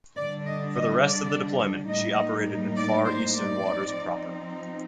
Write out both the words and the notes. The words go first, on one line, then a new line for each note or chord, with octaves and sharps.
For the rest of the deployment, she operated in Far Eastern waters proper.
D3 G3 D4 D5
D#5
D#5
D5
A2 G3 A#3 D#4 D#5
D5
C5
D5
F3 C4 D#4